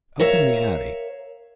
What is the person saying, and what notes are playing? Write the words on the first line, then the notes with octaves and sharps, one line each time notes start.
Up in the attic.
A#4 C#5 E5 F5